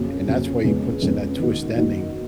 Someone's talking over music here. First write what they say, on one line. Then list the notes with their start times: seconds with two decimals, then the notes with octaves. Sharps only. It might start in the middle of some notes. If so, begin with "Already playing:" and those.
and that's why he puts in that twist ending
Already playing: F2 C#3 F#3 A#3
0.27 F2 C#3 F#3 A#3
0.64 F2 C#3 G#3 B3
1.02 F2 C#3 G#3 B3
1.39 D#3 A#3 D#4 F#4
1.77 D#3 A#3 D#4 F#4